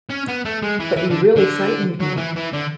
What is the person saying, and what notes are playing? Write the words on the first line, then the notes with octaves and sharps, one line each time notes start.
But you really frightened me.
C#4
B3
A3
G#3
E3
E3
D3
D3
F#3
E3
E3
D3